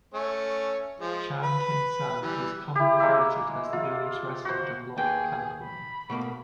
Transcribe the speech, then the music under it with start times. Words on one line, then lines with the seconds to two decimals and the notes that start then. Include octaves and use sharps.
Chan Tin-San is commonly credited as the earliest resident of Locke, California.
0.14 A3 C#4 C#5
1.00 F3 G#3
1.43 B4 B5
2.22 E3 G3
2.75 E4 G4
2.99 G#3 A#3 E5 D6
3.73 F4
4.45 F#4 C5
4.98 D#2 A#3 G#4 B4 G5
5.63 B5
6.10 B2 A3 A#3